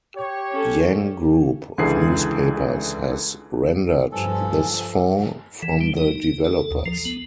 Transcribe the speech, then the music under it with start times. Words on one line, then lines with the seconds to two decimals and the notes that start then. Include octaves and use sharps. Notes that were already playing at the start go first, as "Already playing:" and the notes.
Jang Group of Newspapers has rendered this font from the developers.
0.16 G4 C#5
0.52 C#4 A4
1.78 C#2 D3 E3 G#4 C7
4.12 G2 F3 A4 G#5
5.62 E3
5.81 G3
5.97 D#4
6.15 D#4
6.45 A4
6.71 D#2
6.86 F3
7.05 B3